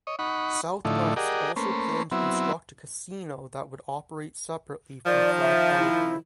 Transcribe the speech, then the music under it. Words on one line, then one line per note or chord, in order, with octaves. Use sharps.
Southwest also planned to construct a casino that would operate separately from Fred Harvey.
C#5 D#5
D#4 F#5 B5 C#6
A2 D3 F3 A3 D#4 E4
G4 G#4 A#4 D5 D#5 F#5
A3 A#3 C#4 B4 C5
F#3 B3 C4 E4
D#3 F3 D5
E5
E4